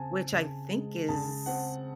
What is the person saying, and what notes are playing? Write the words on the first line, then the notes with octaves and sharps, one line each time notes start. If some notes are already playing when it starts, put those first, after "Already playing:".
Which I think is
Already playing: C#3 C4 G#5 A5
C#3
G#3
C#3 A5
C4 F#5